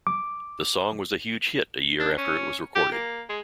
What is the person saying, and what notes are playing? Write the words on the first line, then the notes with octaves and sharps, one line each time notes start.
The song was a huge hit a year after it was recorded.
D6
D4
C#4
G4
A#3
G#3